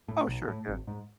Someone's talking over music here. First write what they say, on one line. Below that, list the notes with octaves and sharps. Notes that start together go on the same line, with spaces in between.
Oh, sure, yeah.
A2
B1
A2
G#1
G#2